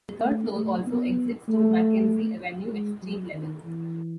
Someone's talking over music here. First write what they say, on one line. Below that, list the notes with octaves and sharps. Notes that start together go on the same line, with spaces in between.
The third floor also exits to MacKenzie Avenue at street level.
A3
A3
B3
A3
G#3
F#3
D#3
E3